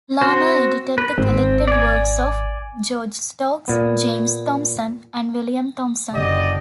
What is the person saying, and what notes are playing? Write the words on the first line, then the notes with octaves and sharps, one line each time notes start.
Larmor edited the collected works of George Stokes, James Thomson and William Thomson.
C4 F#4 C5
B4
G#1 C4
D5 G#5
A#2 B3
F#1 D3 G4 D5 D#5